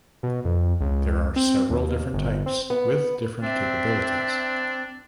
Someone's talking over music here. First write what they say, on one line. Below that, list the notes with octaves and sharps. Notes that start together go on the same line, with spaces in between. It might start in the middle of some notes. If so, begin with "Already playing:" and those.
There are several different types with different capabilities.
B2
F2
C#2
C4
D#2
G1
C4
B3
C4 D4 E5